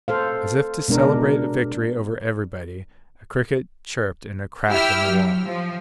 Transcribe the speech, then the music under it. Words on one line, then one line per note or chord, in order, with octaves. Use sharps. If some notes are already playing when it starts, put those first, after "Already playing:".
As if to celebrate a victory over everybody, a cricket chirped in a crack in the wall.
A4 C5 F5
B2 G#3 D4 A#4
E4 G4 G5 E6 F6
F#3
F3